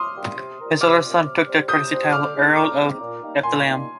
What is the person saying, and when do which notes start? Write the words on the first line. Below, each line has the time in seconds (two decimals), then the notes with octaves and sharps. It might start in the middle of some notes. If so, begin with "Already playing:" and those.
His elder son took the courtesy title, Earl of Eltham.
Already playing: C6 D6 D#6 F6
0.16 G3 A#3 D4 G4
0.37 C3
0.60 G3 C4 F4 A#4
0.81 C3 D6 F6
1.03 G3 C4 F4 A#4
1.25 C3
1.46 G3 C4 G4 C5
1.68 C3 D#6 G6
1.90 G3 C4 G4 C5
2.12 D3 D6 F6
2.35 G#3 C4 D#4
2.56 D3 A#5 D6
2.77 G#3 C4 D#4
3.00 A#2
3.21 G3 A#3 D#4
3.43 A#2 G#5 C6
3.65 G3 A#3 D#4